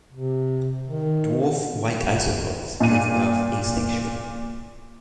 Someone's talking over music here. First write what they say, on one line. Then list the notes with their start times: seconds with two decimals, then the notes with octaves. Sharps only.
Dwarf white isopods give birth asexually.
0.14 C3
0.88 D#3
2.80 A#2 D#7